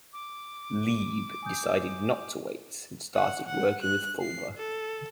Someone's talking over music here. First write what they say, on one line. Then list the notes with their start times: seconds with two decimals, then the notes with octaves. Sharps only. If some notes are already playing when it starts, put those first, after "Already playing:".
Leeb decided not to wait and started working with Fulber.
0.13 D6
1.43 G#5 D#6 G6
3.14 F#5
3.47 F#5
3.82 F#6
4.21 C7
4.57 A4